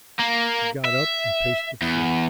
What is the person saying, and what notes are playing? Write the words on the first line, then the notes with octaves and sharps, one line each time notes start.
He got up and paced the floor.
A#3
E5
E2